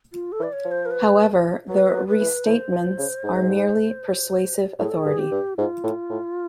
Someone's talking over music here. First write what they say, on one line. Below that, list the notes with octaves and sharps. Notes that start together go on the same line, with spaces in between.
However, the Restatements are merely persuasive authority.
F4
A4
E3
D5
C#5
F3
C5
A#4
B4
F#3 B4
F#3
B4
E3
E3 C5
F3
C#3
G#2
A2 G#4
A4
G#4
G2
G4
G2
G#2 F4
A2
A2